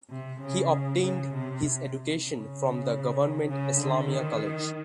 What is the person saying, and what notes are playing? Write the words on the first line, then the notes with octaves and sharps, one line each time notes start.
He obtained his education from the Government Islamia College.
C3
C#3
C#3
C3
C#3
C#3
D3
D#3